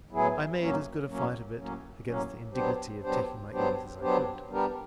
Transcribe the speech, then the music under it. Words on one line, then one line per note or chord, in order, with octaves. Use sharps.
I made as good a fight of it against the indignity of taking my ease as I could.
A2 F#3 B3 E4 G#4
A2 F#3 A#3 C#4
A2 F#3 A#3 C#4
A2 F#3 A#3 C#4
A2 F#3 A#3 C#4
F#3 B3 D4 G4 C5
F#3 B3 D4 G4 C5
F#3 B3 D4 G4 C5
F#3 B3 D4 G4 C5
G3 B3 D4 G4 A#4